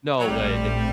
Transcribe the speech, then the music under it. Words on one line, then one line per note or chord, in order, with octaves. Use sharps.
No way, they
F#3
A#1 A2 G3 A3 C4